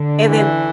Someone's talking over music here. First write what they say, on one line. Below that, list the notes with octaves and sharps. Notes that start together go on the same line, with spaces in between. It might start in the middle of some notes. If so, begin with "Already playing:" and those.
and then,
Already playing: D3
E3